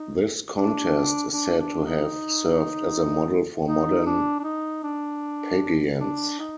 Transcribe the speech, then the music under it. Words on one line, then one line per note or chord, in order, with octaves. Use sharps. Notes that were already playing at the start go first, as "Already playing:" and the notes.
This contest is said to have served as a model for modern pageants.
Already playing: D#4
D4
D4
D4
D#4
D#4
D4
D4
D#4
D4
D4
D#4